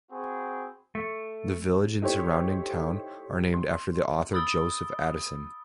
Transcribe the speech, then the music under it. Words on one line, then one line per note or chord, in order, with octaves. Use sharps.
The village and the surrounding town are named after the author Joseph Addison.
C4 F#4 G#4 B5
A3
A3 D#4 E4 G4 C5 C#5
C6
B5 D#6 E6 A6 D7 G7